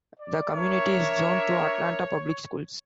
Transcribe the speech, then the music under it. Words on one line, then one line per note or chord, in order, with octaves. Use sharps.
The community is zoned to Atlanta Public Schools.
D5
D4 A#4 C#5 E5